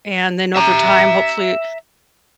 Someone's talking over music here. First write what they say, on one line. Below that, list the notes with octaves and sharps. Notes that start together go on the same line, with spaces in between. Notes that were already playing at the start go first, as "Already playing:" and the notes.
and then over time, hopefully,
E5 A#5